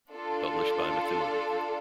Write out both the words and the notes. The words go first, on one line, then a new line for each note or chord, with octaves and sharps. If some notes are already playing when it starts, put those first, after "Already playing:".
Published by Methuen.
D4 F4 A4